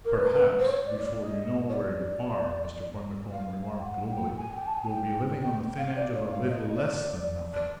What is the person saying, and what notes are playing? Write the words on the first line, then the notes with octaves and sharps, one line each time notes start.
"Perhaps, before you know where you are," Mr. Bundercombe remarked gloomily, "you'll be living on the thin edge of a little less than nothing!"
A#4
B4
B4
C5
C#5
D5
D5
D#5
C#5
D5
F5
G5
F#5
G5
G#5
G5
A5
G#5
G5
G5
F5
D5
C#5
F5
D#5
D5
D5